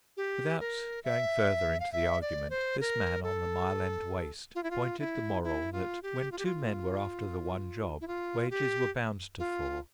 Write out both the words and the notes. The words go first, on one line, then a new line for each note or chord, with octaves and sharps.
Without going further into the argument, this man on the Mile End Waste pointed the moral that when two men were after the one job wages were bound to fall.
G4
A#4
E5
F5
E5
D5
C5
A#4
A4
F4
E4
F4
E4
E4
F4
G4
F4
G4
F4
E4
F4
G4
F4